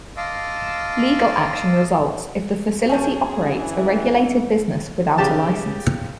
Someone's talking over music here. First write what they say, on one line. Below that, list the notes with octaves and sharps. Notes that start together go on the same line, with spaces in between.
Legal action results if the facility operates a regulated business without a license.
D#5 F5 A5 C6 D6 E6
F#2 C#4 G#4 G#5 A5 G6
E3 D4
C#3 G4 A5